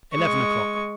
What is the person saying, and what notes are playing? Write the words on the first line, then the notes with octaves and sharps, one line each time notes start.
Eleven o'Clock.
G#3 C#6